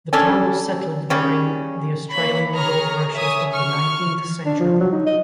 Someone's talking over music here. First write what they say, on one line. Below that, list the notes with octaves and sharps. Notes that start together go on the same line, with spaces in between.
The town was settled during the Australian gold rushes of the nineteenth century.
C#4 D4 A4 G#5
C#3 G3 C#4
A#3 C#5 B5
G#4 C#5 A#5 F6
C#5 E5 G#5 D#6
C#6 F6
D4
F3
F#3
D#4
D#5